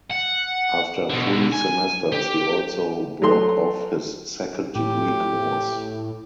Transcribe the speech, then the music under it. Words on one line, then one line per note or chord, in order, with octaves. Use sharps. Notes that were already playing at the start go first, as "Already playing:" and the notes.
After three semesters he also broke off his second degree course.
F#5
B2 D3
G#5
G4
F#3 A3 C6
A2 G4